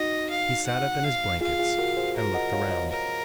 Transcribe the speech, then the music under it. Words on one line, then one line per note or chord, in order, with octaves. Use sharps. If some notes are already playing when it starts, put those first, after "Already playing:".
He sat up in his blankets and looked around.
Already playing: D#4 F#4 D#5
F5
F#5
F5
F4 G#4 F5
F4 G#4
F#4 A#4
G#4 C5
A#4
D#5 F#5
C#5 F5
C5 D#5
A#4